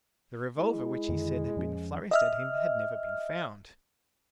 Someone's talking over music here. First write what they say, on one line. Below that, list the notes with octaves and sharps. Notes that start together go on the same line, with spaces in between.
The revolver which he said had been flourished at him had never been found.
G#3 E4
F2 D3 D#3
F2 F3 C#4
D#5 E5 F6